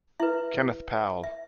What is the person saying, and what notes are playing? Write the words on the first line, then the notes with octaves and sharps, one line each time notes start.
Kenneth Powell.
E4 B4 E5
E5